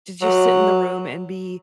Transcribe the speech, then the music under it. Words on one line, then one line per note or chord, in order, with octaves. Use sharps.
to just sit in the room and be
F#3